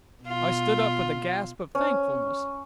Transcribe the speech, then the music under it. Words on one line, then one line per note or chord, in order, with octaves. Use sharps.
I stood up with a gasp of thankfulness.
B2 F4
C#4